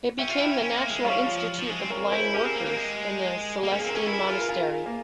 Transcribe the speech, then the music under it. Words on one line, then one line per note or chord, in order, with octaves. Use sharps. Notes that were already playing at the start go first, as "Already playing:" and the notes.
It became the National Institute of blind workers in a Celestine monastery.
C#4 E5 G5
F4
E4
C#4
C#4
A#3
G#3
G3 C#5 F5
F3
F3
G#3
C4
A#4 C#5
E4 G#4 C5
C#4 G4 A#4
C4
A#3
A#3
G#3
A#3 G#4
C#4 A#4
A#3 G#4
C4 A#4
C#4 G#4
E4 A#4
G#4
A#4
F4 G#4
A#4
F4 G#4
A#3